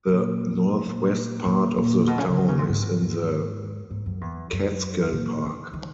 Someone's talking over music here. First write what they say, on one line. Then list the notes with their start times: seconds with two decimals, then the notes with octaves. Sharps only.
The northwest part of the town is in the Catskill Park.
0.09 A#2
0.86 A#2
1.46 A#2
1.77 A#2
2.07 B2
2.18 C#3
2.28 C#3
2.38 D#3
2.48 C#3
2.59 A#2
2.69 G#2
3.91 G#2
4.06 F#2
4.21 E2
4.52 F#2
5.13 A#2
5.43 D#3
5.73 D#3